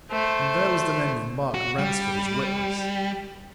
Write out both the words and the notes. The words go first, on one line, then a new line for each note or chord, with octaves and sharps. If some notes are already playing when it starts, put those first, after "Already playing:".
And there was the name of Mark Ransford as witness.
A3 C5
F#4
G3